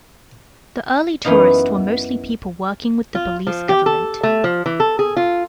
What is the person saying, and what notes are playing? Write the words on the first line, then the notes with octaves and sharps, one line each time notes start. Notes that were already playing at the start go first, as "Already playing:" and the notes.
The early tourists were mostly people working with the Belize Government.
F#2 E3 B3 D#4 F5
F4
F3
G4
A4
A3
F3
E3
A4
G#4
F4